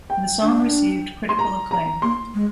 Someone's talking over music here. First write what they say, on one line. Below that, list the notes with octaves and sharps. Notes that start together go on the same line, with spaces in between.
The song received critical acclaim.
G5
D4
C6
A#5
A#5
A#3 C6
G#3